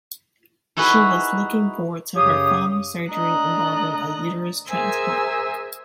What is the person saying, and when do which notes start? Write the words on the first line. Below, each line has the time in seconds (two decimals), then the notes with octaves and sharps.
She was looking forward to her final surgery involving a uterus transplant.
0.77 D#4 E4 F#4 G#4 B4
2.17 F#2 C#3 G4 C#5 F5 D#6
3.09 A3 D4 D#5 A#5 F#6
4.69 G#4 A#4 C5 E5 G#5 E6